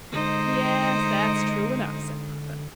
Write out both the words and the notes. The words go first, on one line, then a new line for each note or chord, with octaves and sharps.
"Yes, that's true enough," said Puffin.
D3 G#3 D#4 C5